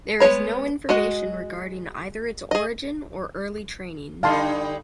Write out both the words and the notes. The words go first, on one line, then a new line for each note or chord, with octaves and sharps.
There is no information regarding either its origin or early training.
G#3 B3 C#4 C#5 B5
G#3 F#4 D#5
G#4 D#5
D3 G3 D#4 F5 A5 C6